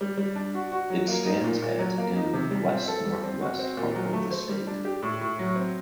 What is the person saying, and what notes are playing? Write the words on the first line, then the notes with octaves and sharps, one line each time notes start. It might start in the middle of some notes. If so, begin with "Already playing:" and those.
It stands at in the west-northwest part of the state.
G3
G3
D4
F#4
F#4
F#3
A#3
D#4
A#2
A#2
F#3
A#3
D#4
C3
G3
C4
A4
G3
C4
F#4
C4
A#2
F#3
A3
C5
G3
D4
G4
A2
A2
F#3
C4